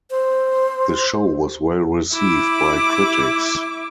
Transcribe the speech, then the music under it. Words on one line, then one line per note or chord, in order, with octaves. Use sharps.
The show was well received by critics.
C5
E4 D6